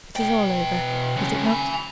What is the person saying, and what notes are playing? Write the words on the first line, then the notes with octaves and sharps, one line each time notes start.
It is all over, is it not?
B2 G5
F#2 C#3
G#5 B5